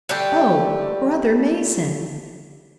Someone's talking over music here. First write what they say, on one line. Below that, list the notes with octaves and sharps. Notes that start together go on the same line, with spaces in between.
"Oh, brother Mason!"
D3 G3 A3 G4